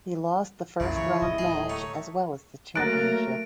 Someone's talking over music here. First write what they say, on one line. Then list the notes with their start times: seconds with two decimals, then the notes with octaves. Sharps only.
He lost the first round match as well as the championship.
0.80 C2 F#2 A#2 C#3 E4
0.96 C#3 E3 C#5
1.22 D1 C3 D#5
1.38 G#4
1.53 A2
1.70 A3 D#4 C#5
2.76 F#3 A3 A#3 A#4 F#6 A6 A#6 D7